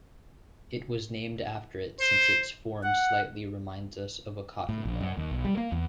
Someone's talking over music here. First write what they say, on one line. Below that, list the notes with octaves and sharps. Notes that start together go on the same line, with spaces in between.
It was named after it since its form slightly reminds us of a coffee mill.
C5
F#5
A2
A#1
F#2
D#2
B1
G3
A#3
E2